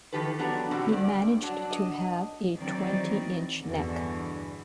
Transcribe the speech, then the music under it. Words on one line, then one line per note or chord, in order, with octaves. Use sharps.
He managed to have a twenty-inch neck.
D#3 E3 G4 A4 B4
F#3 B3 D4 A4 A#5
B2 D3 C4 F#4 G4
G2 D5
F#3 D4
D#5
D#3 E3 F#3 C4 D#4 D5
E2 G2 B2 D3 E3